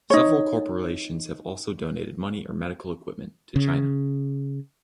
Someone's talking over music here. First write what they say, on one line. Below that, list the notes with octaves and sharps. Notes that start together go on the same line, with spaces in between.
Several corporations have also donated money or medical equipment to China.
D#4 C#5
C#3